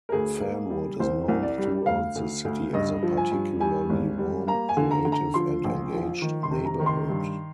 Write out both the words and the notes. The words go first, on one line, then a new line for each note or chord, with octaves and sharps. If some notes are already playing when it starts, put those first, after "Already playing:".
Fernwood is known throughout the city as a particularly warm, creative, and engaged neighbourhood.
A#4
D2 G#4
A#3
G3
C2 C5
C2
D5
G3
D2 F5
D2
D2
G2 D#5
F3
G#5
G2
G3 G#5
G#1
G3
A#3 A#5
G#5
D3
A#5
D3
A#5
F3 C6
A#1
F3
D#3
C6
C3
A#5
D#3
C6
G2